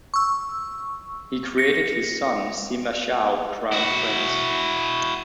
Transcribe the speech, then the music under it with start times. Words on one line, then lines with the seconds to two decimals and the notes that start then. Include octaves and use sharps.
He created his son Sima Shao crown prince.
0.14 C#6 E6
1.58 A#6 C#7
3.72 E4 F#4